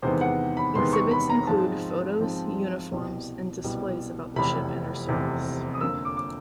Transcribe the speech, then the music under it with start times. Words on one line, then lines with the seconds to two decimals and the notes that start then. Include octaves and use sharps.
Exhibits include photos, uniforms, and displays about the ship and her service.
0.02 E2 C3 D#3 G#3 B3 C5
0.21 F#5
0.57 B5
0.75 E2 C3 D#3 G#3 B3 C6
0.93 C#6
1.11 B5
1.30 A#5
1.47 G#2 F3 G#3 C4 A5
2.20 G#2 F3 G#3 C4
2.92 C2 B2 G3
3.64 C2 B2 G3
4.36 F1 E2 C3 B5
5.09 F1 E2 C3
5.74 D#6
5.81 F2 D3 F3 A#3 E6
6.05 D6
6.17 D6